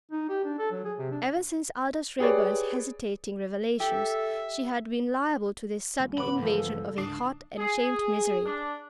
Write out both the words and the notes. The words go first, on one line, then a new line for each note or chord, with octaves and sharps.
Ever since Aldous Raeburn's hesitating revelations, she had been liable to this sudden invasion of a hot and shamed misery.
D#4
G4
D4
A4
F#3
G#4
C3
D4
G4 G#4 B4 C#5 D5
G4 A4 E5
A#2 G3 A3
D1 B1 A#2 B3 F#5 B5 D6
E2 G2 C#3 F3 G#3 B3 A4
C#2 G#2 D3 D4 D6 D#6 C7
G#4
D4